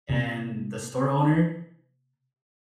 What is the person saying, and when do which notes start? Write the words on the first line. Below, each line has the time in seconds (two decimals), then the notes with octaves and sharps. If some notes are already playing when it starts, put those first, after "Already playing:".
and the store owner"
0.09 C3 A#3